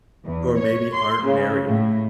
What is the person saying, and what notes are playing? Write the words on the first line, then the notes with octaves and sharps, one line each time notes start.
or maybe aren't married.
E2
C#5
C6
C#3
A2